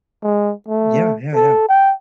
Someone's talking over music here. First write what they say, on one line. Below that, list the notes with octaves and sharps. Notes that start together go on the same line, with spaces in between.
Yeah, yeah, yeah,
G#3
A3
A4
G5